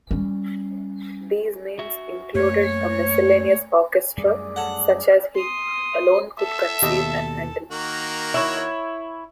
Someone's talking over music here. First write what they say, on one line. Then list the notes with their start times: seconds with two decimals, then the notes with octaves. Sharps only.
These means included a miscellaneous orchestra such as he alone could conceive and handle.
0.11 G3 C#4
1.79 F#4 E5
2.35 F#2 A3 A#3 C#5
4.17 F#2 G3 A3 G#4 D5
4.56 A4 C#5 F#5 A5
5.35 C6 D#6
6.39 A4 E5 A5
6.82 D#2 B2 G4 D#5 E6
7.71 D#3 A#3 F#4
8.34 E4 C#5